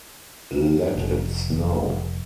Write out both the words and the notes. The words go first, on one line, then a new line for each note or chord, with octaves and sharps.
Let it snow.
F1